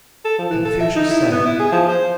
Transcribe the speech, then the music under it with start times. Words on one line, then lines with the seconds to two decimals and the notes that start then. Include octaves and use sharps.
Confucius said.
0.25 A4
0.39 F3
0.50 E3
0.65 A4
0.80 E5
0.96 D#4
1.10 E4
1.32 B3
1.46 E4
1.59 G#4
1.72 F3
1.89 C5